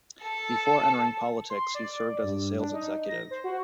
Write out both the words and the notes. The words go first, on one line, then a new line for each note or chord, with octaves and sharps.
Before entering politics, he served as a sales executive.
A4
C6
D5
G2
D4
D#4
A#6
C5
F#4